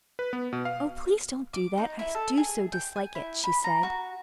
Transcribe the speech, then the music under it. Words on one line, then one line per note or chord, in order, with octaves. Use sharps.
"Oh, please, don't do that, I do so dislike it," she said.
B4
B3
B2
F5
D6
D#4
E4
A4
G#4
G5
G#5
E4
B5
A#5
F#4